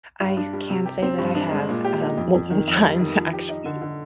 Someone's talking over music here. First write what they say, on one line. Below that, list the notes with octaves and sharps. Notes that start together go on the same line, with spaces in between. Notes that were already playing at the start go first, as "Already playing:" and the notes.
I can say that I have, um, multiple times actually.
G2
D4
G3
C3
G4
C4
G2
D4
G#3
A#2
G4
D#4
F2
F2
D#3
F2
G3
D#3
F3
G4
D#4
D3
D3